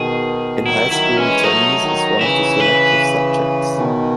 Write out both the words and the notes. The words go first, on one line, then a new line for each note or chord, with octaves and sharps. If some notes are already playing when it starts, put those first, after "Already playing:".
In high school, Chinese is one of the selective subjects.
Already playing: B2 D#3 G#4
D#3 F#3 E4
D#3 F#3 E4
E3 G#3 C#4
F#3 A3 D#4
D#3 F#3
C#3 E3 E4
B4
B2 D#3